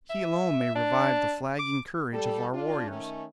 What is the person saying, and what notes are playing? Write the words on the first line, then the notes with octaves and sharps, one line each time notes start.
He alone may revive the flagging courage of our warriors.
E5
D4
D6
G3 A4
D4 F4
D#3 A3 C#4